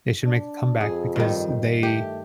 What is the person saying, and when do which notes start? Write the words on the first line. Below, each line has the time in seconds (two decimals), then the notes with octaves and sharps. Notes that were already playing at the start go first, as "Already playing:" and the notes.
they should make a comeback because they
0.23 D4
0.81 F2 G#4
1.16 G2 D#3
1.83 A3 G4